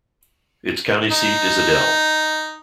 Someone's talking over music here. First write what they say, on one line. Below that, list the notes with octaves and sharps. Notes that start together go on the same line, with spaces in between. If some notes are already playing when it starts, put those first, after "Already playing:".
Its county seat is Adel.
D#4